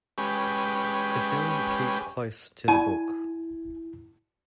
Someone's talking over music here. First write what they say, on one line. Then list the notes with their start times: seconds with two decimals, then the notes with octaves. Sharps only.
The film keeps close to the book.
0.18 G#3 C#4 G4 B4
2.68 E4 G#5